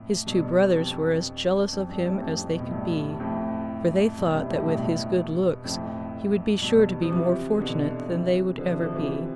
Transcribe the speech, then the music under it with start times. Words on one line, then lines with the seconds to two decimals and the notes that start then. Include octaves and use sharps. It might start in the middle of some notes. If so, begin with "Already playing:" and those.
His two brothers were as jealous of him as they could be, for they thought that with his good looks he would be sure to be more fortunate than they would ever be.
Already playing: F2 A2
0.27 G2 B2
0.75 F2
1.73 F2
1.89 G2
2.06 F2 A2
2.22 F2
2.47 B2
2.59 A2
2.71 G2
3.20 F2 A2
4.18 G2 B2
4.34 A2 C3
4.50 F2 A2
4.66 G2 B2
5.64 F2 A2
6.62 G2 B2
7.02 F3
7.11 C3 E3
7.60 B2 D3
8.09 C3 E3
8.58 D3 F3
8.70 C3 E3
8.82 D3 F3
8.95 C3 E3